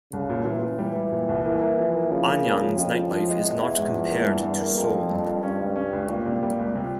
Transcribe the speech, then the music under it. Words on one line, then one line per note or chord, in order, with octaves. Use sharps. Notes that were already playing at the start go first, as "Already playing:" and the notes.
Anyang's nightlife is not compared to Seoul.
C2 C#3
A#2
A#2 E3
A#2
E3 G3
G3
A#2
C2
E3 A#3
A#3
F3
A#3
C#3 F3
A#3
A#3
F3
F2 F3
F3
F3
G#3
E2 G#3
E4
G#2
F3
A#3
G2
G2
A#3
F2 A#3
F3
G2
G2
G2 C#4
C#2
C#4
C#2
A#2 G3
C3
G3
C#2
C3